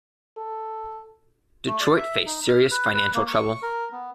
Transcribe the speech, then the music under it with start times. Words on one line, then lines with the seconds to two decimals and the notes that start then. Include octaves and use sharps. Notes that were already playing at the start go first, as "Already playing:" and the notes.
Detroit faced serious financial trouble.
0.38 A4
1.67 A3
1.80 D5
1.97 E5
2.26 D#4
2.48 F6
2.71 B4
2.94 B4
3.14 A#3
3.28 C#6
3.62 A#4
3.92 B3